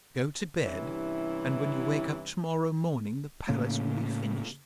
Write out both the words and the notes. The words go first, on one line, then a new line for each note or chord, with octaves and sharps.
Go to bed, and when you wake up to-morrow morning the palace will be finished.
G2 C3 E3 C#4 E4
A2 C#3 A#3